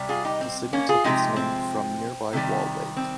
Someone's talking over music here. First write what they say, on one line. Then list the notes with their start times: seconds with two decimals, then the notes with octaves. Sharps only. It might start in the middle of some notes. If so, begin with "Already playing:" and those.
The city took its name from nearby Wall Lake.
Already playing: C3 G3
0.09 F4 G#4
0.25 D#4 G4
0.41 C4
0.73 A#3 C#4
0.89 F4 G#4
1.04 C3 F3 G#3 D#4 G4
1.36 C4
2.33 C3 D#3 G3
2.97 C4